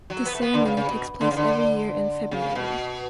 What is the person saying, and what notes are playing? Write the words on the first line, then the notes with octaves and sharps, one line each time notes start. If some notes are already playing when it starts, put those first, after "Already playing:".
This ceremony takes place every year in February.
F#3
B3
A3
B3
D3
C#3
C#3
B2
D3
C#3
D3
C#3
B2